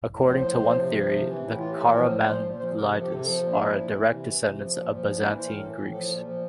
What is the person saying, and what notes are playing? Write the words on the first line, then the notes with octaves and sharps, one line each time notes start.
According to one theory the Karamanlides are the direct descendants of Byzantine Greeks.
A2
F3 C5
A2
F3
C3
F3
C3
E3
A2 E4
E3 F4
G4
A2 A4
F3 A#4
A#2
F3 C5
A#2
F3 C5
C3 A#4
F3 A4
G4
C3 A4
F3 A4
A#2
D4
F3 E4
A#2
E3
C3
E3
C3
F3
A#2
F3
A#2
D4
E3 E4
A2 C5
A#4
E3 A4
A2
F3 A4
A#2
F3